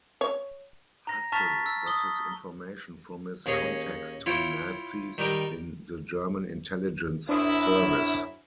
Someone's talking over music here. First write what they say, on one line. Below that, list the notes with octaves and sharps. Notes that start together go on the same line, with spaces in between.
Hassel got his information from his contacts to nazis in the German intelligence service.
C#5
A#5 A#6
A5 A#5 C#6 F6 A6 B6
E6
D#6 G7
D#2 C#4 G#4 C#5 D#5
E4 F4 C#5 G5
D#3 G3 G4 A#4 G5
F#2 D4 E4 C5 D#6